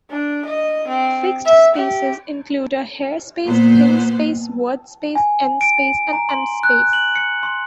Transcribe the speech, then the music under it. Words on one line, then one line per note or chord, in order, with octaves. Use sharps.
Fixed spaces include a hair space, thin space, wordspace, en-space, and em-space.
D4
D#5
C4
E5
G4
A#2 B3 C5
G#5
D7
A#5
C6
F#6
F#7
C#7
C6